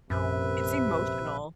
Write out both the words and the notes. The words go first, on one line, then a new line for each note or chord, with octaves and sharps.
It's emotional.
A#1 F#2 C3 B4 E5